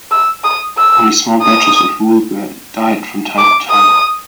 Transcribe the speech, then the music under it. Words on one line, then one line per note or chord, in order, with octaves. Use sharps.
Only small batches of wool were dyed from time to time.
E6
D#6
E6
D#6
D6
D#6